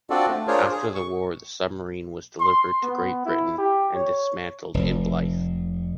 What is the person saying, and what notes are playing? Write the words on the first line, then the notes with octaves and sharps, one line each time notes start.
After the war, the submarine was delivered to Great Britain and dismantled in Blyth.
C4 D4 F4 F#4 A4 D5
A3
D4 F4 G#4 A#4 C5 C#5
G#4
C#6
C6
B3
E4
G4
C#5
F1